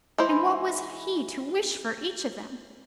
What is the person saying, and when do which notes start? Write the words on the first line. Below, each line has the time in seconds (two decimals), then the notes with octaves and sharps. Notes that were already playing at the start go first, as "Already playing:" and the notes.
And what was he to wish for each of them?
0.18 E3 G#3 E4 C5